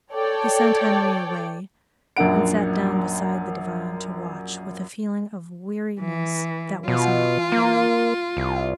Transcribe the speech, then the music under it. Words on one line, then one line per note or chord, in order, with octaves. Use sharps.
He sent Henri away and sat down beside the divan to watch with a feeling of weariness that was not bodily.
A4 C#5 D5 G5
A#1 F#2 A#3 D4 F#5 D7
E3
B2 F4
A#3
C2